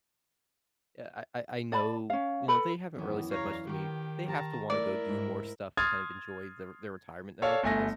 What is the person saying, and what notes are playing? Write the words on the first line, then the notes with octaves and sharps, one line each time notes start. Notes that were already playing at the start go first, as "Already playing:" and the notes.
Yeah, I I I know, you know, they haven't really said much to me, they have to wanna go do more stuff and kind of enjoy their their retirement now because
D5 A5 B5
C#4 F5
A4 B4 B5
F#2 D#3 E3 B3
E2 C#5 D5 F5 A#5
D#3 B3 G4 A#4
G4 A5 A#5
A3 E4 A#4 D5
G#2
C6 D#6 F6 G#6 A6
A4 C#5 D5 F5
G1 A3 G#5 A#6